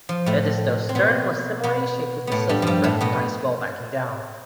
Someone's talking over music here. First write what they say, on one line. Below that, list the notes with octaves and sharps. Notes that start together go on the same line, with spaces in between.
"Edisto's" stern was similarly shaped to facilitate breaking ice while backing down.
F3
A2 A3
C4
B2 B3
B2 B3
A2 A3 B3
G2 G3
G2 F3 G3
A2 A3
B2 B3